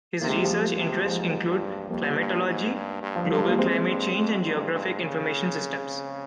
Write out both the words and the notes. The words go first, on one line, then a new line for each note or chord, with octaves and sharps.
His research interests include climatology, global climate change, and geographic information systems.
C3 A#3
G#3
G3
F3 G#3
C3
G#2 F3 G#3
G2
F2 G3 A#3
G2
G#2
G2
G2
F3
G2 G3
G#3
A#3
G#3 C4
G2
F2
G2
G2
C#3